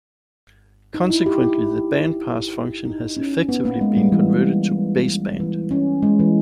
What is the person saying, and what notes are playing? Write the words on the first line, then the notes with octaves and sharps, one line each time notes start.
Consequently, the bandpass function has effectively been converted to baseband.
D#4
E4
G4
E4
D#4
C#4
B3
A#3
G#3
G3
E3
E3
C#4
G#3
E3